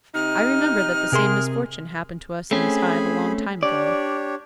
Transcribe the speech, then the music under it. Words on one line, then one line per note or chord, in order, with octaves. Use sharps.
I remember that the same misfortune happened to us in this hive a long time ago.
C3 D#4 F6
C3 G#4 A#4 C6
A3 C4 C#4 G#4 B5
D4 G4 C#5 D5